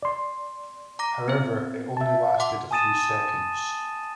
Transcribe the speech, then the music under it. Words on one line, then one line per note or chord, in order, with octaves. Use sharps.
However, it only lasted a few seconds.
D5 C6
A#5 D6 A#6
B3 C4 C5
E5 A5
F#5 C6 D6
G#5 A5 D#6 A6 D#7 E7